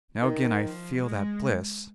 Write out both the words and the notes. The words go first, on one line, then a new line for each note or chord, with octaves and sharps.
Now again I feel that bliss.
D#3
F3
G#3